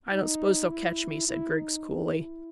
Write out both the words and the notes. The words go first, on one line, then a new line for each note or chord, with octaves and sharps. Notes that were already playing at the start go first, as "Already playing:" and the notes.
"I don't suppose they'll catch me," said Griggs coolly.
D#4
E4
E4
D#4
E4